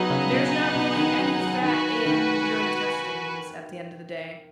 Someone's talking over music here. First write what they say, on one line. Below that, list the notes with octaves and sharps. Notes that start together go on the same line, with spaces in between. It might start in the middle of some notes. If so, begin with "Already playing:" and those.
There's not really any fat in your intestines at the end of the day.
Already playing: F#3 B3 D#4 G#4 D#5 F#5
C#3
B2
B2
D#3
F#3
F#3
D#3 F#4 B4 G#5
D#3